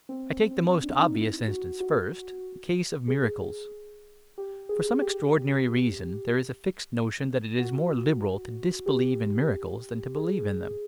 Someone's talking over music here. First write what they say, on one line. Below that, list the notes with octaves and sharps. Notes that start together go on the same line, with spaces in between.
I take the most obvious instance first, the case of miracles. For some extraordinary reason, there is a fixed notion that it is more liberal to disbelieve in miracles than to believe in them.
C4
C4
C4
D4
D#4
E4
F#4
F#4
G#4
G4
G#4
G4
F#4
G4
G#4